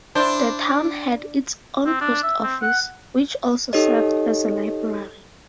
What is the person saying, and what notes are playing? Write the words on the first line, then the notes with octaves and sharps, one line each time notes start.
The town had its own post office, which also served as a library.
D4 E4 C5
C4
D4
E5
C4
F#5
D#4 G4 A4 C#5 D#5